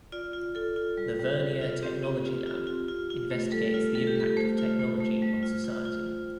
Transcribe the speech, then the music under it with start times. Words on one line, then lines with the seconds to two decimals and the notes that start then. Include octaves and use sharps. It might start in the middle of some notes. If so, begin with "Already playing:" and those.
The Vernier Technology Lab investigates the impact of technology on society.
0.12 F4 D5
0.33 F4
0.55 F4 A4
0.76 F4
0.97 G3
1.19 G3
1.40 G3
1.61 F4
1.83 C4 G4
2.04 C4
2.25 F4
2.47 F4
2.67 F4
2.88 F4
3.10 F4
3.31 A3
3.52 G3 A4
3.74 F4
3.95 G3 A4
4.07 G4
4.15 G3 A4
4.37 A3 C5
4.58 F4
4.79 A3
5.00 A3
5.22 G3
5.43 F4
5.64 F4
5.85 F4
6.06 F4